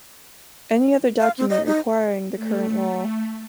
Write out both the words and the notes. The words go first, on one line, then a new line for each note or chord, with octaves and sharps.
Any other document requiring the current law.
F5
C4
D#5
D#4
A3